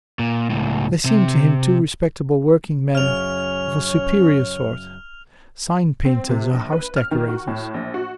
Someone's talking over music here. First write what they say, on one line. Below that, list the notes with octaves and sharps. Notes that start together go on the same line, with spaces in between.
They seemed to him two respectable working men of a superior sort--sign painters or house decorators.
A#2
C#2 A2
C3
F#2 C#3 C#4 C#5 F6 F7
C4
C3
A#1
B4
F6
D#3
F#4
A2
A#1
F#4